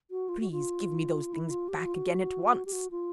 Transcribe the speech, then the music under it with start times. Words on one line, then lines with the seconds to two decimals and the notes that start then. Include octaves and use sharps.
"Please give me those things back again at once!"
0.11 F#4
0.29 F4
0.40 F#4
0.51 F4
1.33 E4
1.50 F4
1.68 G4
1.77 F#4
1.86 F4
1.94 F#4
2.66 G4
2.73 F#4
2.91 F4